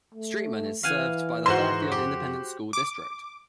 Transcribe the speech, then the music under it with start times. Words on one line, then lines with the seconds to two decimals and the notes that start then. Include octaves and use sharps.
Streetman is served by the Fairfield Independent School District.
0.14 A3
0.83 E3 F5 F#5 G#5
1.46 G#2 F#4 C5 C6
1.92 F2 G4
2.73 D6